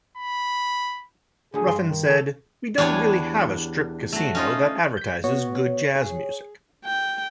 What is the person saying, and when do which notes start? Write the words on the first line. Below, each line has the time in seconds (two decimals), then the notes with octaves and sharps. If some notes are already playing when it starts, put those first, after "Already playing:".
Ruffin said, We don't really have a Strip casino that advertises good jazz music.
0.17 B5
1.54 D2 D3 G#4
1.68 G2 C6
1.83 D#3
2.10 A4
2.78 E2 D4 G4 C#5 G#5
4.12 F#3 A3
4.35 C#4 D#4 F4
4.97 G6 B6
5.24 B3 F#4 C#5
5.96 G#4
6.85 G5